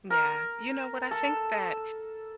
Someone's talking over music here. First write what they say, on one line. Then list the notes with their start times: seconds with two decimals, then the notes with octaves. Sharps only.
Yeah. You know what, I think that
0.10 A#4
1.11 A4